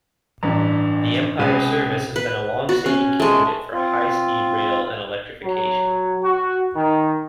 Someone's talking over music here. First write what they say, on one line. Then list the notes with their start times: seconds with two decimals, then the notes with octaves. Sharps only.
The Empire Service has been a long-standing candidate for high-speed rail and electrification.
0.43 A1 G2 D4 B4 A#5
1.39 C#2 C3 G#4 B4 G#5 D#7
2.16 B4
2.69 F#4
2.86 C#4
3.20 G#3 A3
3.74 C4 F4
5.43 F#3
6.24 F#4
6.74 D#3